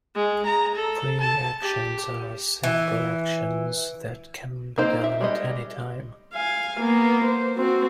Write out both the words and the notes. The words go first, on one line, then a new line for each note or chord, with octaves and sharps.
Free actions are simple actions that can be done at any time.
G#3
A#5
A4
A5
G4
E3
A#3 C4 D#4 C5
E5
G3 G#3 D#5
F5 G#5
A#3 B3
C5
C4 F#4